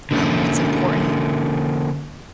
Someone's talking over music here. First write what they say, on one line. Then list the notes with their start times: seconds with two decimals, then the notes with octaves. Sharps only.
um, what's important
0.11 D3 A#3 C#4